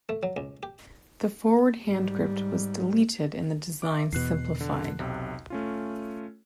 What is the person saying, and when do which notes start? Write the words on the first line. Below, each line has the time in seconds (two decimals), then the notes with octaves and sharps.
The forward hand grip was deleted, and the design simplified.
0.09 A3
0.23 F#3
0.37 C#2
0.63 G4
1.85 G#2 G3
3.82 E5 D6
4.13 E2 B2 F#6 C7
4.61 D3
5.00 B1 C3
5.50 A3 C#4 F4